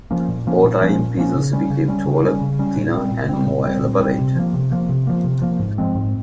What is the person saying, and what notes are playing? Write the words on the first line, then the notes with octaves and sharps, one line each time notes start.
Over time, pieces became taller, thinner, and more elaborate.
F3 A#3 C#4
A#2
F3 A#3 C#4
A#2
F3 A#3 C#4
A#2
F3 A#3 C#4
C#3
G3 C#4
C#3
G3 C#4
C#3
G3 C#4
C#3
G3 C#4
A#2
G3 C4
A#2
G3 C4
A#2
G3 C4
A#2
G3 C4
C3
F3 A#3
C3
F3 A#3
C3
F3 A#3
C3
F3 A#3
G#2
F3 G#3 C4
G#2